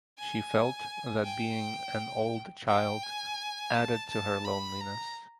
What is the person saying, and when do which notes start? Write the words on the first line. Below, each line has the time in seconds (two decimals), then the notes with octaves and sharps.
She felt that being an old child added to her loneliness.
0.19 G#5
1.24 G5
2.68 G5
3.03 G#5
3.74 A5
4.10 A5
4.45 B5
4.80 A#5